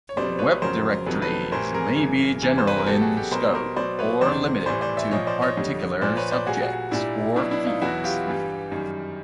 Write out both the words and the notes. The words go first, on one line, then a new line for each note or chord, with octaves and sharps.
Web directories may be general in scope, or limited to particular subjects or fields.
C#5
B2 G3 C5 D5
B4 C#5
F2 C#3 F#3 A#4 C5
F2 C3 D#3 F#3 A4 B4
A4 B4
A2 E3 G3 A#4 C5
G#4 A#4
F#2 C#3 E3
E2 C3 E3 G3
C5
B4
A#4
B2 F#3 G4 A4
F#4 G#4
G4 A4
B2 G3 A#4 C5
A#4 C5
B2 F#3 C5 D5
B4 C#5
E2 C3 D#3 C5 D5
A2 E3 G3 C5 D5
C5 D5
D5 E5
A#2 F3 C#5 D#5
C5 D5
C#5 D#5
F2 D3 G3
A#2 F3 C5 D5
B4 C#5
C5 D5
A#2 G3 F#4 G#4
F#4 G#4
A#2 G3 D4 E4
B2 F#3 D4 E4
D4 E4
D#4 F4
E2 B2 F#3 E4 F#4
F4 G4
G2 E3 G3
F#2 D#3 G3